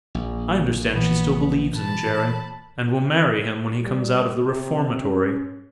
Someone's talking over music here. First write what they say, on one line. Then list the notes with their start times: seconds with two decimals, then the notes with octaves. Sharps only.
I understand she still believes in Jerry and will marry him when he comes out of the reformatory.
0.15 A#1
0.92 A#2 E3 B3
1.76 A5 B5
3.85 G3
4.38 C3
5.03 C#4